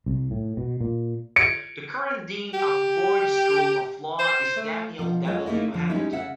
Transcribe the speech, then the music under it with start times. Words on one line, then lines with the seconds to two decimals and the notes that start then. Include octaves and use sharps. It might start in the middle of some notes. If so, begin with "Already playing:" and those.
The current dean of the Boyd School of Law is Daniel W. Hamilton.
0.06 C2
0.31 A2
0.57 B2
0.81 A#2
1.36 C#7 D7
2.54 G4
4.20 C5
4.57 A3
4.99 B2 F3
5.25 F#3 G#3 F4 A4 C#5 D#5
5.46 A3 A#3 D#4 E4 D5 D#5
5.74 D3 F3
5.90 G3 G#3 C#4 D#4 E4
6.13 C#3 E5 F#5